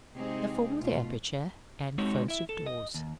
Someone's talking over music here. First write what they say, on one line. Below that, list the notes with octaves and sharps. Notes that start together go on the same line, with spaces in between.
The form of the aperture: and first of doors.
C3 G#3 C4 D#4 G4 G#4
B2 A3 F4
G#3 C4 D#4 F#4 C#5
E4 E5
A4
D#5
D#2